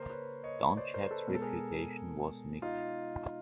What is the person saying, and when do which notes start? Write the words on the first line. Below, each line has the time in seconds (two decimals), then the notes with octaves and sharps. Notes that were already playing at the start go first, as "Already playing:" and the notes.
Donnchad's reputation was mixed.
Already playing: C#3 A#3 A#4 C5
0.10 B4 C#5
0.44 C#5 D#5
0.60 C#5 D#5
0.77 C5 D5
0.94 A#4 C5
1.11 A4 B4
1.27 B2 G#3 B3 A#4
1.35 A4
1.42 G#4 A#4
2.62 D#4 F4